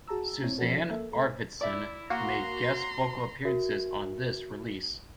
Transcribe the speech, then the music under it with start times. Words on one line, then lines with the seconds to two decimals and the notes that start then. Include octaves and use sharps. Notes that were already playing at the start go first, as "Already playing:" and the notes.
Susanne Arvidsson made guest vocal appearances on this release.
0.07 F#4 G#4 A5 A#5 E6
0.41 C4 E4 C#5
0.58 F3 C#4 E4 F#4 A4 A#4
0.90 A#3 A4 E5
1.12 A3 A4
1.61 E4 D5 E5
2.10 A#3 F#4 A#5 C6
3.45 F#4 A#4 E5